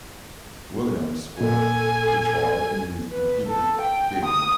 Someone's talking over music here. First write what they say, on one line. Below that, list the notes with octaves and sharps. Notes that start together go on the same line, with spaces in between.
Williams scored a try in his debut game.
A#2 A4 G#5
B4
A4
G5
D#6